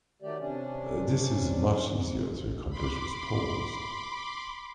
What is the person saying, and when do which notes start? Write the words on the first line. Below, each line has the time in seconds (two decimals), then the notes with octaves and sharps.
This is much easier to accomplish with poles.
0.22 D#3 F#3 A3 G4 D5
0.39 C3 C#4 D4
2.70 B5 C6 D6